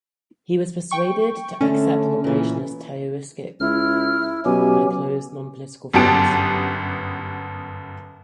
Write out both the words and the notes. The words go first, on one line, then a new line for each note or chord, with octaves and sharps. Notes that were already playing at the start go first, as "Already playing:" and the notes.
He was persuaded to accept the nomination as Taoiseach by close non-political friends.
G5 C#6
D3 A3 C#4
A#2 E3
C#2 E4 F6
B2 F#3 C#4 G4 G#5
G1 F#2 B3 G4 A5 D7